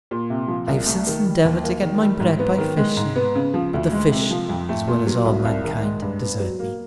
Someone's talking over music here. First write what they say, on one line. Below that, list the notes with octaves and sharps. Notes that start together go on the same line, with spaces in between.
I have since endeavour'd to get my Bread by Fishing; but the Fish, as well as all Mankind, desert me.
A#2
C3
F3
C2
A3
D#3
G3
D#2
A#3
D#3
G3
G#2
B3
D#3
G#3
G#2
B3
C#3
F3
D2
G#3
C3
F3
F2
A3
A#2
F#3
C2
C2
D#3
G#3
G2
B3
F#3
A#3